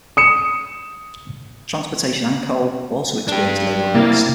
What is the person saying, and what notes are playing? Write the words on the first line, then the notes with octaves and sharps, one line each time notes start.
Transportation and coal also experienced labor unrest.
D#6 C#7 E7
D4 G4
C3 A#3 E4 A6